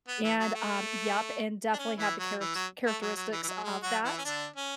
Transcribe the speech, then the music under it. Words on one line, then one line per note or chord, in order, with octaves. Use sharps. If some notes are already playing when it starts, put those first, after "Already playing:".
and, um Yep, and definitely have the charets characteristics of that,
B3
E3
F#3
A3
D4
C#4
E3 E4
F#3
E3
F#3
A3
F#3
F#3
E3
E3
F#3
G#3
F#3 F#4
E3 E4
C#4
D3 D4
C#4